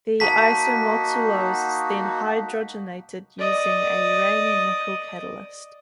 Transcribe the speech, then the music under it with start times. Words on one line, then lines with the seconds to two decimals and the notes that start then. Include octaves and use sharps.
The isomaltulose is then hydrogenated, using a Raney nickel catalyst.
0.20 A#3 D#4 F#4 A5 B6
3.38 D5 D#5